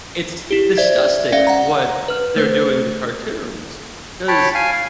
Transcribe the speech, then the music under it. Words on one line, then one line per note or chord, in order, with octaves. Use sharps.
It's disgusting what they're doing to cartoons, 'cause
E4 G4
C5 D5 E5 G#6
C#4 D5 E5 F5 A#6 G7
F#5 A#5
B4 F6
A3 C5
C#5 G5 A5 B5
F5 G#5
F5